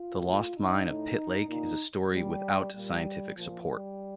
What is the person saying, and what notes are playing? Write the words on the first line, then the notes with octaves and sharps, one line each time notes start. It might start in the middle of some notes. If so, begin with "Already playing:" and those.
The lost mine of Pitt Lake is a story without scientific support.
Already playing: F4
A2
D#4
A2
A#2 D#4
A#2 G3
A#2 G3
A#2 F3
G3